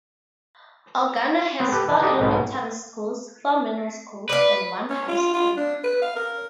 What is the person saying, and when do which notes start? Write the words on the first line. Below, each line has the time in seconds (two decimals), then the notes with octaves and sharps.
Ogano has four elementary schools, four middle schools and one high school.
1.60 B3 C4
1.72 G4 A4 B4
1.89 E3
2.01 D4 D#4 F#4 G4 A4
2.20 B1 G#2 B2
4.29 B4 D5 F5
4.90 C#4
5.08 F4
5.33 F4
5.56 D4
5.83 B4
6.02 F5
6.15 A#4